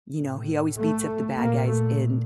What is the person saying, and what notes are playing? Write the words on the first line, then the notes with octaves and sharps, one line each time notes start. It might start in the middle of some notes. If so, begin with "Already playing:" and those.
you know, he always beats up the bad guys in
A2
A3
A#2 A#3
A3